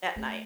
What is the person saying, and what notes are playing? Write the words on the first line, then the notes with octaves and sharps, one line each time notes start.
at night.
A3